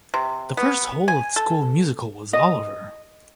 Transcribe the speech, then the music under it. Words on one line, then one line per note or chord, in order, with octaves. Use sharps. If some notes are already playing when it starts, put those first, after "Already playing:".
The first whole of school musical was Oliver!
C3
B3
G#5
A4
D#5